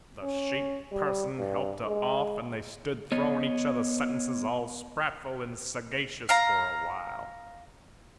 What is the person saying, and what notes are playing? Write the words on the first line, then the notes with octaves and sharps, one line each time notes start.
The sheep person helped her off; and they stood throwing each other sentences all sprightful and sagacious for a while.
C#4
G3
G2
G#3
B3 C#5 D#5
F5 A#5